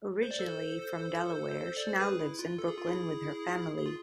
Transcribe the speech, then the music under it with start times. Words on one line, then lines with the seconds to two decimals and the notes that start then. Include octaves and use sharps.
Originally from Delaware, she now lives in Brooklyn with her family.
0.23 C5
0.31 D5
0.39 A4 C5
1.77 D5
1.89 C5
1.99 G#4 B4
2.20 E4
2.39 F4
2.58 A4
2.68 G#4
2.78 F4
2.87 E4 G#4
3.77 G#4
3.86 F4